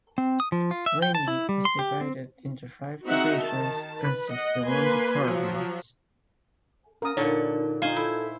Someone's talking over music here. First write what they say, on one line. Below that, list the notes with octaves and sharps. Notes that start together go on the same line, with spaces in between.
Laney is divided into five divisions and sixty-one departments.
C4
D#6
F3
F4
E5
G5
A5
E4
G3
C6
G4
C4
C4 D#4 F#4 G#4 E5 F#5
D#3 A5
B4
D#5 F#5
A#3 B4 G#5 C6
F3 F#3
C#4 A#4 D#6
A#2 D3 D4 D#4 A#4 C#5 F5
D#4 F4 C5 F5 G#5
E4 A4